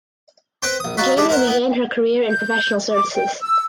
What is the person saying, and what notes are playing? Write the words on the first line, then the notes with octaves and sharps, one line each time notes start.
Gaynor began her career in professional services.
C4 B4 C5 G5 C6
A#1 D#6
F#3 D#4 F4 F#4 F#5 B5
G#3 D4 E4 G4 G#4
E4 A#4 C5 F#5
B3 E4
G6
D6
G5
E6